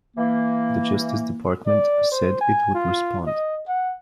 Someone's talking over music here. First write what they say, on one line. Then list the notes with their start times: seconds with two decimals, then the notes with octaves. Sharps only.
The Justice Department said it would respond.
0.17 E3 A#3
1.67 D5
2.12 C5
2.41 G#5
2.74 F4
3.27 D#5
3.68 F#5